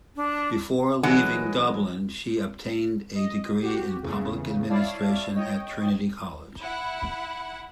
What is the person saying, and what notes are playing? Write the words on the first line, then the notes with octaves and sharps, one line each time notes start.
Before leaving Dublin she obtained a degree in public administration at Trinity College.
D4
E3 F#3 G#3 D#4 F#5
D#5
F#4 G4
E2 A2 C#3
E4 C#5 D5 F5 A5
C#5 D#5 G5
E4 F#5